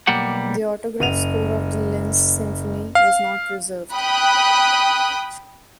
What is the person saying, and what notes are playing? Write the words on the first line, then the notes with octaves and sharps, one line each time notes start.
The autograph score of the "Linz Symphony" was not preserved.
B1 G3 A#3 G4 F#5
F#1 D#7 F7
F5
G5 B5 D#6 F#6